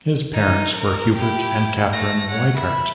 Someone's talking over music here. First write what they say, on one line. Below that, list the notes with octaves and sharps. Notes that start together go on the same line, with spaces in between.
His parents were Hubert and Catherine Weikart.
D#4
A#4
E4 G4
A3 A#6
C#5 F#5
E5 B5